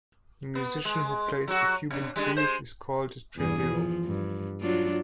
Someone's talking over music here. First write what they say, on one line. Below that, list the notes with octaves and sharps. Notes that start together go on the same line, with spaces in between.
A musician who plays the Cuban tres is called a "tresero".
B3
G#3
F#3 F#4
B2 D4
G3 G#3 D4
G#3 C5
E2 G2 G#4
F3
G2
F#3 D4 F4